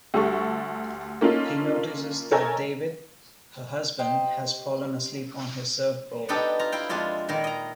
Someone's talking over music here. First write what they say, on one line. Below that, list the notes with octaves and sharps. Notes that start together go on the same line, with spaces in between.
He notices that David, her husband, has fallen asleep on his surfboard.
D2 G3 A4 C#6
A#3 C#4 D#4 F4 A4
A4 A#4 C#5 D#5 G#5
G4 C5 D#5
B3 D4 D#4 G4 A4
F4 A#5
E4 F5 G5
F2 G#3 D4 F4 E5
A#2 D#3 E4 A#4
D#5 A#5